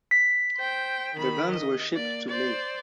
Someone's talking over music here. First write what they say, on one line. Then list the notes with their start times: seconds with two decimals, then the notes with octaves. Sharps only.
The guns were shipped to Leith.
0.11 B6
0.56 C5 G5
1.15 D#3 B5
1.50 D#5
1.93 A#3 D5
2.28 C5 D5